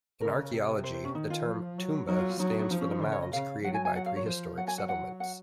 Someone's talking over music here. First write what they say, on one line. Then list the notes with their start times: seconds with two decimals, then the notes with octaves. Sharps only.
In archaeology the term Toumba stands for the mounds created by prehistoric settlements.
0.21 C#3 A#4
0.52 C3
0.84 C5
0.94 C5
1.05 C#4
1.14 D#3 D#4
1.30 F4
1.46 F3
1.78 F#3
2.08 F#3 D#4
2.19 F4
2.29 F4
2.39 F#3 D#4
2.50 D#4
2.60 D#4
2.70 F3 D#4
2.81 C#4
2.91 D#4
3.02 C#3 C5
3.12 C#5
3.22 D#5
3.33 C#3 F5
3.64 F#3 F#5
3.74 G#5
3.85 G#5
3.95 F#5
4.06 F5
4.16 C#5
4.26 F3 C5
4.58 F#3 F#5
4.68 G#5
4.78 F#5
4.89 F#5
5.20 F#5